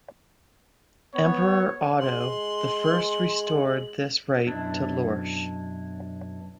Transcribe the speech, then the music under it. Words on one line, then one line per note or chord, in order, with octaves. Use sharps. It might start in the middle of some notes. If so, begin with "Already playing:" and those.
Emperor Otto the First restored this right to Lorsch.
B3 C#5
G#3 C6 F#7
F#2 B2 D4 E4